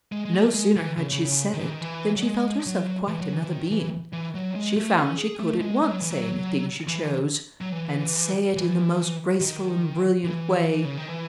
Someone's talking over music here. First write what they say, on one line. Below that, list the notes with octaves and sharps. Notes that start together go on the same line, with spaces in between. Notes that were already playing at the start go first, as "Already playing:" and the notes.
No sooner had she said it than she felt herself quite another being. She found she could at once say anything she chose, and say it in the most graceful and brilliant way.
G#3
G#3
A3
G#3
E3
C#3
C#3
C#3
D#3
E3
D#3
E3
F#3
G#3
F#3
E3
F#3
E3
E3
D#3
E3
E3
F#3
G#3
A3
C#4
G#4
A3
G#3
G#3
F#3
E3
F#3
E3
F#3
E3
E3
D#3
E3
C#3
D#3
E3